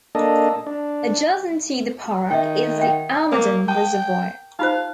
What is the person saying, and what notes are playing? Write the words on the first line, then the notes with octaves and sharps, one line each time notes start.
Adjacent to the park is the Almaden Reservoir.
A#3 D4 A4 D#5
D4
D#3 E5 G5
E5 F#5 G5
A#3 A#4 D6
G5 A5 D#6
D#4 F4 C5 F5